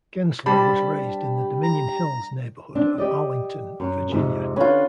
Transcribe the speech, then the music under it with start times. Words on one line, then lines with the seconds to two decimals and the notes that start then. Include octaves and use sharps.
Gentzler was raised in the Dominion Hills neighborhood of Arlington, Virginia.
0.46 G3 C4 D4 G4 A5 B5
1.63 A#5
2.75 C4 D4
2.98 G4 D5 D#5
3.80 F#2
4.11 F2 G#2 C3
4.56 D3 C#4 F4 B4